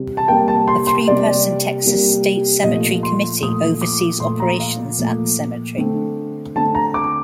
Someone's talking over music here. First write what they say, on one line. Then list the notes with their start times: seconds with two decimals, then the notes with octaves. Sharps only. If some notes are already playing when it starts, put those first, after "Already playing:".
A three-person Texas State Cemetery committee oversees operations at the cemetery.
Already playing: C3 G3
0.17 A5
0.28 C3 G3 A#3 G5
0.48 A5
0.68 C6
0.87 C6
1.07 C3 G3 A#3 D5
1.85 C3 G3 A#3
2.63 A#2 F3 A3 D#5
3.03 C6
3.42 A#2 F3 A3 D#6
3.81 D6
4.20 A#2 F3 A3 C6
4.40 A#5
4.60 F5
4.98 A#2 F3 A3
5.77 D3 A3 C4
6.56 D3 A3 C4 A5
6.75 A#5
6.94 D6